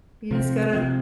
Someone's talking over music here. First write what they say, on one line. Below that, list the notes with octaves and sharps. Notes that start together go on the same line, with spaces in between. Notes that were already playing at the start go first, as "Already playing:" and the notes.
you just gotta
C3 F3 C4
C3 F3 C4